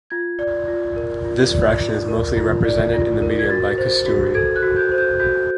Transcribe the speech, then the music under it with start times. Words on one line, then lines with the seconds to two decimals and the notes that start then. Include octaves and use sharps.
This fraction is mostly represented in the media by Kasturi.
0.10 F4 G#6
0.39 D5
0.68 F4
0.96 A#4
1.24 F4
1.52 D5
1.81 F4
2.08 A#4
2.37 F4
2.65 D5
2.94 F4
3.22 A#4
3.39 G#6
3.50 F#4 A6
3.78 C5
4.06 F#4
4.34 A4 G#6
4.56 F#6
4.63 F#4
4.76 G6
4.92 C5
4.98 G6
5.19 F#4 G6